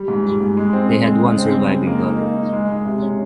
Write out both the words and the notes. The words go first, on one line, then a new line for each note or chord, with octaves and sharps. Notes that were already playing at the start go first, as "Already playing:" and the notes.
They had one surviving daughter.
Already playing: G3
G#2
G3
G#2
G#3
C4
C4
G#3
C#3
C4
C#3
G#3
A#3
D#4
A#3
D#4
G#3
G#3
C3
C#4